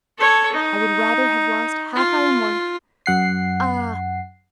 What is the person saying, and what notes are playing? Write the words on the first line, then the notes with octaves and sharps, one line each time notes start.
I would rather have lost half I am worth; ah!
A4 C#5
D#4
F4
F#2 F#5 C7